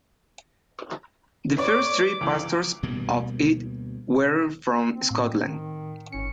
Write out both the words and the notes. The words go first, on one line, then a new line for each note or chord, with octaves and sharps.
The first three pastors of it were from Scotland.
B4 C#5 D5 D6
C#2 E3
D2 B2 G3 A#3
C4
A2
D#3
G1 C#4 C#7